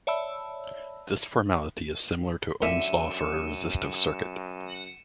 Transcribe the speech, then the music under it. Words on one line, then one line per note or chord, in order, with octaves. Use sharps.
This formality is similar to Ohm's Law for a resistive circuit.
C#5 D5 E5 A5 B5 E6
F#2 A2 D3 A#4 E5 C#7 D#7 E7